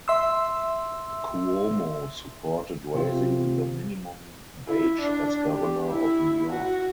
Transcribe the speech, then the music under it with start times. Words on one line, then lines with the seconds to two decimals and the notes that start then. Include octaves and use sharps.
Cuomo supported raising the minimum wage as Governor of New York.
0.08 E5 C6 E6
2.95 C3 C4 F4
4.68 E4
5.01 D4
5.45 G4
5.91 E4
6.49 F#4